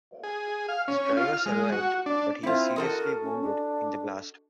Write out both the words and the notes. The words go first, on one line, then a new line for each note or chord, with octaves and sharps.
His driver survived, but he was seriously wounded in the blast.
G#4
F5
C#4
F4
F6
G#3
F#4
D4
C4 E4 F4
F#4 A4 A#4 D#5
C#4
D4